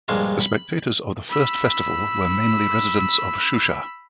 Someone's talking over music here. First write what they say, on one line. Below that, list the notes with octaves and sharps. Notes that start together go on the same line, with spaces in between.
The spectators of the first festival were mainly residents of Shusha.
A#1 G2 G#3 F5 A#5
B5
B5 E6